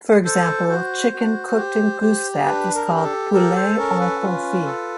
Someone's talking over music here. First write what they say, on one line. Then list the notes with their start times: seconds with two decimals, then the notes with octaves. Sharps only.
For example, chicken cooked in goose fat is called "poulet en confit".
0.25 A4 C5
0.69 F#4 C5
1.13 F#4
1.57 G4
2.02 G4
2.45 D4 B4
2.75 A#4
2.89 G4
2.96 A#4
3.04 A4
3.33 A4 A#4
3.56 C5
3.78 C#4 A#4
4.00 B4
4.22 F4
4.66 A4